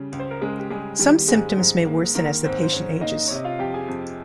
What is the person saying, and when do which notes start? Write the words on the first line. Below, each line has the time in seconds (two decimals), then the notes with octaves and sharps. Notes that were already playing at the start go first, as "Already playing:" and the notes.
Some symptoms may worsen as the patient ages.
Already playing: C#3 G3
0.12 C#2
0.19 C5
0.31 A#4
0.41 C#2 G#3 G#4
0.59 G4
0.70 G3 G#3 G#4
0.99 D#3 G3 G4
1.28 G#2 G#3 G#4
1.57 G#2
1.86 A#3
2.15 D#3 A#3 A#4
2.44 G#2 C4 C5
2.63 C5
2.73 G#2 C#4 C#5
3.01 A#3 D#4 D#5
3.27 C3 C#5
3.36 D#5
3.44 F4 F5
3.59 F2 G4 G5
3.74 G#4 G#5
3.88 F2